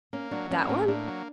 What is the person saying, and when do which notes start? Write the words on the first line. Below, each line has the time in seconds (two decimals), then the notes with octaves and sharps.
"That one?"
0.13 A#3 C#4
0.31 F#3 D4
0.51 A#3 C#4
0.69 A2 C#4
0.88 A#3 D4
1.07 F#3